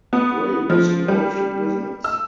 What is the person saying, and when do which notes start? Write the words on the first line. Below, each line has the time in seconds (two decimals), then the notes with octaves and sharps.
Gray was involved in business.
0.13 B3
0.70 F3
1.08 G3
2.04 E6